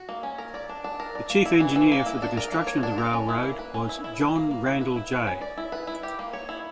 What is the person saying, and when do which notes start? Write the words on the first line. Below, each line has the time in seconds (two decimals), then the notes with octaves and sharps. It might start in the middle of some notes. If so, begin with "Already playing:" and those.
The chief engineer for the construction of the railroad was John Randel J.
Already playing: F#4
0.09 A#3
0.23 C#4
0.38 A#4
0.54 D5
0.69 D4
0.84 D4
1.00 A#4
1.15 D5
1.30 A#3
1.46 E4
1.60 E3
1.76 E3
1.92 A#3
2.06 E4
2.22 D4
2.37 A#4
2.52 A#3
2.67 C#5
2.83 D4
2.98 A#4
3.13 C#4
3.29 E4
3.43 A#3
3.59 B4
3.74 C#4
3.89 E4
4.04 E4
4.20 B4
4.36 A#3
4.51 A#3
4.66 E4
4.81 B4
4.96 E4
5.12 B4
5.27 C#4
5.41 D5
5.57 E4
5.72 B4
5.87 E4
6.03 G4
6.19 A#3
6.33 C#5
6.49 E4